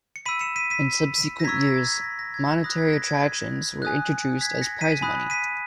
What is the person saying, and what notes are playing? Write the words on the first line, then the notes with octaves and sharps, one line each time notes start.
In subsequent years monetary attractions were introduced as prize money.
C#7
B5 E6 B6 D#7
C#7 E7
B6 D#7
B6 D#7
A#6
A#5 C#6 E6 G#6 B6
A#6
G#6
B6
A#6
A#6
G#6
B5 D#6 F#6 A#6
G#6 B6
A#6
G#6
G#5 D#6 F#6
G#6 B6
A#6 C#7
B6 D#7
G#5 B5 D#6 F#6
B6 D#7